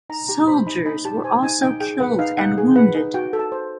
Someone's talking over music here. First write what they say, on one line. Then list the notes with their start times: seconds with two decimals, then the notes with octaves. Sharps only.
Soldiers were also killed and wounded.
0.10 D#4 A#5
0.28 G4 A#5
0.47 C5 B5
0.67 D#4 B5
0.86 D#4 B5
1.05 G4 A5
1.24 C5 G#5
1.43 D#4 G#5
1.62 D#4 G5
1.80 G#4 G5
2.00 B4 F#5
2.19 D#4 F5
2.37 D#4 F#5
2.58 G#4
2.76 B4 F#5
2.95 D#4
3.14 F#4 G5
3.33 A4
3.39 A5
3.52 C5